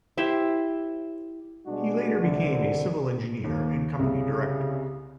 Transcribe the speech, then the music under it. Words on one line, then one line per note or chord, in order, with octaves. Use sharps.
He later became a civil engineer and company director.
E4 G4 C5 E5
B2 G3 G#3 D4 F#4
C2 D3
D#2 A#3
C2 C#3